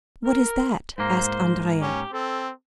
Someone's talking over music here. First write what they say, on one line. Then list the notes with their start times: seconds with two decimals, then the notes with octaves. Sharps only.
"What is that?" asked Andrea.
0.25 A#4
0.98 G#2 A#3 C5
1.81 C#4 G4
2.13 C4 A4